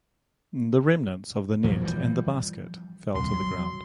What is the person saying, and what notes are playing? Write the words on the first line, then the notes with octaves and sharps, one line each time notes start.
The remnants of the net and the basket fell to the ground.
A#2 F3 F#3 A#3
E3 F3 G3
D#1 C2 C6
F#3